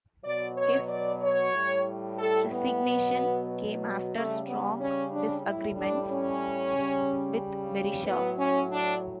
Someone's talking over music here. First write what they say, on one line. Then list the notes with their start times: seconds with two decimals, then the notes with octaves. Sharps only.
His resignation came after strong disagreements with Berisha.
0.23 B2 F#3 D5
0.57 C#5
0.89 D5
1.22 C#5
1.53 A2 G3
2.19 A4
2.52 B3
2.84 B2 F#3
4.15 C#3 G3 A3
4.47 B3
4.81 C#4
5.13 D4
5.45 A2 G3 E4
5.77 D4
6.11 C#4
6.76 C#3 G3
8.05 A2 F#3 B3
8.38 C#4
8.71 D4